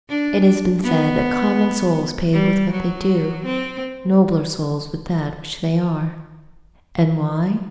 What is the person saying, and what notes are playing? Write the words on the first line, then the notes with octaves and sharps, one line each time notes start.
It has been said that "common souls pay with what they do, nobler souls with that which they are." And why?
D4
B3
G3
F#3
C4